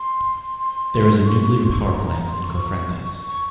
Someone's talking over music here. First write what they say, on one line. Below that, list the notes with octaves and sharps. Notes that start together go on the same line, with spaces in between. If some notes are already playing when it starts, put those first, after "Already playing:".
There is a nuclear power plant in Cofrentes.
Already playing: C6
C6
C#6
C6
A#5
C6
C#6
C#6